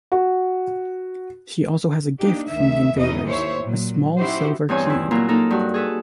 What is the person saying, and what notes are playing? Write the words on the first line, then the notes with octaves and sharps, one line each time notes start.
She also has a gift from the Invaders - a small silver cube.
F#4
A#3 D4 D#4 G4
D2 D#3 E5
E2 E3 C#4 D#4 D#5
D#2 E4 C5 C#5
A#2 F#3
C#4 D#4 E4 F#4 G4 C5
E2 G2 E3 C4 C#5 G#5
C4 E4
A#2 F#3 A#3 E4 F4
A#3 D#4 A4 A#4
G2 F#4
G#4 A4 B4